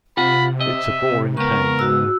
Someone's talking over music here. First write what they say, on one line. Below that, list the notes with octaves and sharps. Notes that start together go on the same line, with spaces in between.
It's a boring pain.
C3 F4 F#5 B5
D#5 E5
C#2 B3 A#4 C#6
G#2 F#4 E6